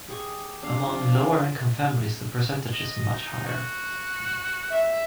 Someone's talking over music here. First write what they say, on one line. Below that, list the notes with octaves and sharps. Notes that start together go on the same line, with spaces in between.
Among lower income families the percentage is much higher.
G4 G#4 C#6
D4 F5
F3 F4
C#3
D#5
D#4
F#4
E5